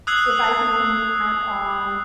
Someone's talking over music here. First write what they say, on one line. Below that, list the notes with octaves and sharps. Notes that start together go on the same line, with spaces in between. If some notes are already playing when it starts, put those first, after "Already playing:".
if I can count on
D#6 E6 F#6 G#6 C7 F#7